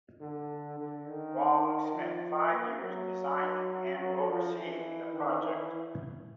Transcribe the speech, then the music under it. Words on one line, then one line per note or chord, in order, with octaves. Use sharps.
Wong spent five years designing and overseeing the project.
D3
D3
D#3
F3
A#3
F#3
F#3
F3
E3
D#3
E3